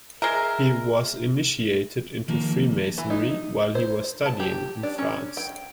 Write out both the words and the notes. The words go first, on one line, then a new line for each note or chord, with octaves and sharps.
He was initiated into Freemasonry while he was studying in France.
G#3 A#4 E5
D#3 F3 A#3
E3
D#4
C5
A5
G4
D4
C#4
G5